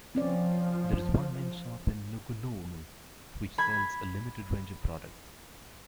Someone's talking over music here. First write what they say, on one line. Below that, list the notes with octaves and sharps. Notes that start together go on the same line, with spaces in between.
There is one main shop in Nukunonu which sells a limited range of products.
F3 C4 C#4 D5
B5 G#6